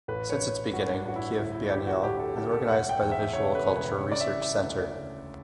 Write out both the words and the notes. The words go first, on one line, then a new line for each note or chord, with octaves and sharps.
Since its beginning Kyiv Biennial is organized by the Visual Culture Research Center.
A1 B4
C#5
A1
G2 F#4
D4
A1 F#4
E4
D2 E4
E4
D3 G4
F#4
D2 G4
A4
D2 A4
A4
E1 F#5
G5
E2
E5
C#3 C#5
B4
E1
B4
C#3 C#5
D5
E5
E3
D5
D2
C#3